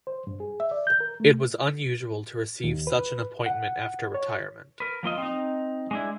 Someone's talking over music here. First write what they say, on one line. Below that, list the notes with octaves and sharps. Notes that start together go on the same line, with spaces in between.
It was unusual to receive such an appointment after retirement.
C5
G2
G#4
E5
D5
G6
A#4
A3
D#2
B4
F#5
C#5
A#4 B4
F3 A#3 F4 D#5
C4 D#4
G#3 D4 E4